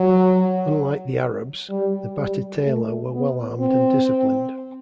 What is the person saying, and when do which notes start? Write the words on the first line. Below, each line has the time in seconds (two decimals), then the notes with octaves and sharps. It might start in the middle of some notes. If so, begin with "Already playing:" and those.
Unlike the Arabs, the Batetela were well-armed and disciplined.
Already playing: F#3
1.70 G3
2.17 G3
2.65 A3
3.13 B3
3.60 C4